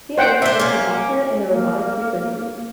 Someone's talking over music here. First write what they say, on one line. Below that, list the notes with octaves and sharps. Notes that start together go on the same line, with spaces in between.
Here she did her doctorate in the Robotics Research Group.
C5 F#5 G5
D4 C5 E5
A#3 C#4
A#3